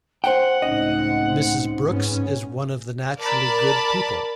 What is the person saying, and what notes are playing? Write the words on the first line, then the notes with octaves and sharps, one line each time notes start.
Mrs. Brookes is one of the naturally good people.
C5 F#5 G5
C#2 A2 C4 C#4 D#4 D#5
G#2 B3 C#4
A#4 D5 A5 B5